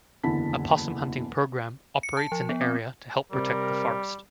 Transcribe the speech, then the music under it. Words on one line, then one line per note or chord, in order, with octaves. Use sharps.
A possum-hunting programme operates in the area to help protect the forest.
F#1 E2 D3 E4 A5 B6
C#7
A5
F3
B3
C4
C3 G3 A#4